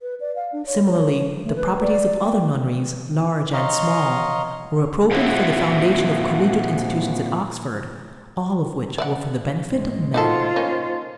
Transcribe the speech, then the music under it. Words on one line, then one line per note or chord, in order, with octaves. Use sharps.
Similarly, the properties of other nunneries, large and small, were appropriated for the foundation of collegiate institutions at Oxford, all of which were for the benefit of men.
B4
D5
F5
D4
C#5
C#5
A3
B4
D5
G5
C#5 D#5 F5 A#5 C6
A#2 F3 C4 E4 F#4
D5 E5 F#5
A2 G#3
D#4 F4 F#4 A4 C5
A#3 C#4 D#4